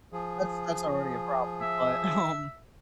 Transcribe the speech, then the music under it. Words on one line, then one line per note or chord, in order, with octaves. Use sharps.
that's that's already a problem, but, um
F3 G#4
E5